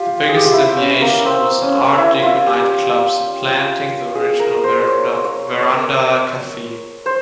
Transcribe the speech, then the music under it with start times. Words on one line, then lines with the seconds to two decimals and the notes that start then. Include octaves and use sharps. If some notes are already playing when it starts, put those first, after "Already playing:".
The biggest deviation was an art deco night club supplanting the original Verandah Cafe.
Already playing: F4 G4
0.29 G#4
0.37 G4
0.45 F4
0.53 E4
0.77 C#4
1.01 A#3
1.25 C4
1.62 C#4
1.98 E4
2.22 F4
2.47 G4
4.15 G#4
4.39 A#4
4.64 C5
4.87 C#5
5.24 C#5
5.60 C#5
7.06 C5